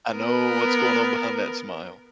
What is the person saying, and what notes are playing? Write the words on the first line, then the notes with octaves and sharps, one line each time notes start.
I know what's going on behind that smile.
B3 A#4